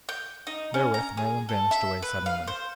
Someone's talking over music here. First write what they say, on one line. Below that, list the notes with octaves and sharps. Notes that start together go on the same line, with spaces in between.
Therewith Merlin vanished away suddenly.
G6
D#4
C#4
A#5
G#4
A4
E5
B4
F5
C5